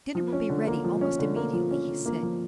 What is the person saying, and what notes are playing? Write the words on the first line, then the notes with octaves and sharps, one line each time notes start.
"Dinner will be ready almost immediately," he said.
F3
C#4
D3
A#3
F3
C#4
D3
A#3
F3
C#4
D3
A#3
F3